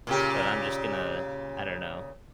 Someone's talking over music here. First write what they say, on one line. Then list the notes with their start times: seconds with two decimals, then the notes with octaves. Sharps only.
but I'm just gonna, I don't know
0.07 A#2 C#3 G4